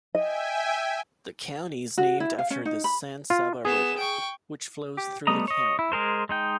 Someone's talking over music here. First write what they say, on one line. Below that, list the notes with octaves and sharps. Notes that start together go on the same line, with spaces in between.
The county is named after the San Saba River, which flows through the county.
D#5 E5 G5 G#5
F#4
E4
F5
C#4
D#4
B5
F4
B3 G#4 E7
G5 C#6
G4
G3 A3 B3 D#5 A#5
C#5 D#5
E4
G#3 G#4 A#4 C5
G#3 D#4 G5